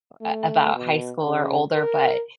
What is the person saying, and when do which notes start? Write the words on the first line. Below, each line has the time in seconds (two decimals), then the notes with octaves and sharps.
uh, about high school or older, but
0.21 A3
0.75 B2
1.25 C#3
1.74 A#4